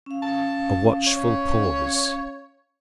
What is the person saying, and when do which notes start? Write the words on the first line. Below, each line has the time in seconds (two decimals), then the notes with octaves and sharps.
A watchful pause.
0.06 C#4 F5
0.23 A5
1.07 C#5